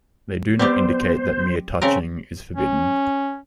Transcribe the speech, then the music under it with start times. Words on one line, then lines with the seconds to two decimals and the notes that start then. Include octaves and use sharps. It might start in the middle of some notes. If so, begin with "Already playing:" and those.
They do not indicate that mere touching is forbidden.
0.59 G3 B3 C4 G4 C5
1.82 C#3 C4 A#4
2.56 C#4